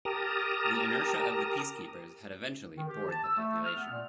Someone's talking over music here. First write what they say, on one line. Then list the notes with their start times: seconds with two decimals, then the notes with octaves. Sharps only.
The inertia of the peacekeepers had eventually bored the population.
0.05 G4 A#4 A5 A#5 D#6
2.77 D#3
2.89 G4
3.09 A5
3.24 E6
3.37 A3
3.64 F6
3.77 B3
3.90 A#2